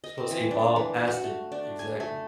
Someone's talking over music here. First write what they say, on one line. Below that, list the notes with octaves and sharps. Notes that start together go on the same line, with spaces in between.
supposed to evolve past it. Exactly.
D#5
C4
E3
D4
E3
F#4
A3
D4
G#5
A3